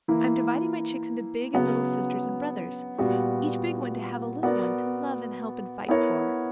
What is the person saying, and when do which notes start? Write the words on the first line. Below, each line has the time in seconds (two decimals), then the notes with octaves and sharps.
I'm dividing my chicks into big and little sisters and brothers, each big one to have a little one to love and help and fight for.
0.08 E3 A#3 E4
1.54 C#3 F#3 B3
2.98 A#2 G3 B3 F#4
4.43 B3 F#4 A#4 D5
5.89 B3 E4 A#4 C#5